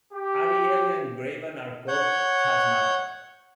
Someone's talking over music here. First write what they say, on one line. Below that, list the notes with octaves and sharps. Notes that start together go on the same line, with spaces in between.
Arielian graben are called "chasmata".
G4
C#5 F#5 G6